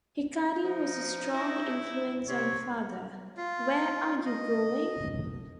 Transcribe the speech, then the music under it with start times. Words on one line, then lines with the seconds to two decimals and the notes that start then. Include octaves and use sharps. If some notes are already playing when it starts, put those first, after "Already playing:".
Hikari was a strong influence on Father, Where are you Going?
0.64 F3 D#4
1.34 E4
2.29 C3 C#5
3.37 F4
4.26 D#5